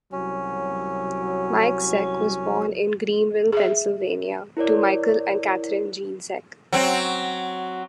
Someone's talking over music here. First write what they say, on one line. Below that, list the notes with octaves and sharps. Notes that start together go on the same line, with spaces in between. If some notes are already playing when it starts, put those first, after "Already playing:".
Mike Zeck was born in Greenville, Pennsylvania, to Michael and Kathryn Jean Zeck.
C2 F#3 C#4
G#4 E5
E4 A#4 C#5 D5
F#3 C4